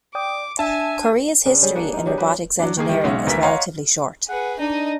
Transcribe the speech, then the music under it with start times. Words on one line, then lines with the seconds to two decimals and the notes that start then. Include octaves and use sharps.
Korea's history in robotics engineering is relatively short.
0.15 D5 G5 D6 D#6
0.59 D4 E5 G#5 A5
1.45 C#3 C#4 D4
1.62 G3 C#4 G#4
1.75 A#3 D4 C#5 F#5
1.93 D#4 F4
2.06 F#3 D4 G4 G#4
2.18 F#3 A#3 B4
2.59 F#3 D4
2.77 D#3 A#3 G#4
2.89 D#3 G3 B4
3.04 B1 G#3 C#4 C#5 E5 F#5
3.27 D2 A#4 B4 E5 B6
3.43 C#5 D#5 F5 F#5 A#5 C6
4.28 G#4 B4 F#5
4.59 D4 D#4 D#5